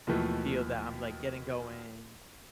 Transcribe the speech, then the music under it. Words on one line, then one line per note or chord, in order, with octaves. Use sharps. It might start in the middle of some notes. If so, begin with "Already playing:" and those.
feel that I'm, like, getting going,
D#2 B2 E3 F3 A3